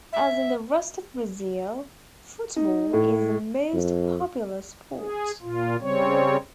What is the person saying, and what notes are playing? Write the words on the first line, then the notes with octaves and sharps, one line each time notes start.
As in the rest of Brazil, football is the most popular sport.
E5
D#4
A2
F2
G#4
A#2 F4
C#3 G3 C4 C#5